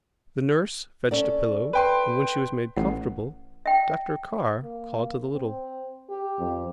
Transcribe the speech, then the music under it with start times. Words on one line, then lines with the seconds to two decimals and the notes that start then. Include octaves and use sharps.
The nurse fetched a pillow, and when she was made comfortable, Dr. Carr called to the little ones.
1.11 C#4 A4 D5
1.73 B4 G5 C6
2.77 A1 F#5
3.66 E5 G5
4.63 A#3
5.35 C4
6.10 G4
6.40 F2